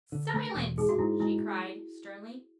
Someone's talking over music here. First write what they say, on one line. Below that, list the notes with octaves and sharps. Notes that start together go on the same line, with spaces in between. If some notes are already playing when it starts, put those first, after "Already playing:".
"Silence!" she cried, sternly.
D3
A3
E1
G#2 G#4
F#4
G#2 E4
G#3 E4